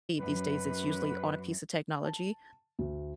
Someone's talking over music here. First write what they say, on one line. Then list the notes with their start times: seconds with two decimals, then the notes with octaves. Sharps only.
these days, it's usually on a piece of technology,
0.18 F#2 B4
2.05 A5
2.79 D2